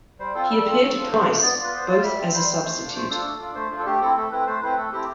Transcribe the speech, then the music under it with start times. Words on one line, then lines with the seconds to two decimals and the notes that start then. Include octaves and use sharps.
He appeared twice, both as a substitute.
0.19 G3 C5
0.35 C4 F4 A4
0.50 G3 A4
0.65 C4 F4
0.81 A3
0.96 D4 F4
1.11 A3 C5
1.27 D4 F4
1.41 B3 D5
1.57 F4
1.64 B4
1.72 B3 C5
1.87 F4 D5
2.03 G3 E5
2.18 C4 F4
2.33 G3 C5
2.48 C4 F4
2.64 A3
2.79 D4 F4
2.94 A3 C5
3.09 D4 F4 A4
3.25 A3
3.40 D4 F4
3.55 A3 C5
3.70 D4 F4
3.80 A4
3.86 A3 G4
4.01 C4 E4 A4
4.16 A3 A4
4.31 C4 E4 B4
4.47 A3 C5
4.62 C4 E4 B4
4.77 A3 A4
4.92 C4 E4 G4